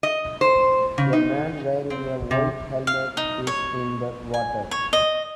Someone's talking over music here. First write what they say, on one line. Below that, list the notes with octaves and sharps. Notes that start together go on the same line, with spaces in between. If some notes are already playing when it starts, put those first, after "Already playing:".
A man wearing a white helmet is in the water.
D#5
C5
C#3
D#4
C4
C3
F5
D#4
C#5
G#5
C#5
D#5